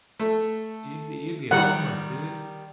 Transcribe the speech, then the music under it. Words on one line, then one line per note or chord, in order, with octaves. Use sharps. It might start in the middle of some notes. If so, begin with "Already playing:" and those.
You'd be you'd be homeless, dude.
A3
D#3 G3 F#5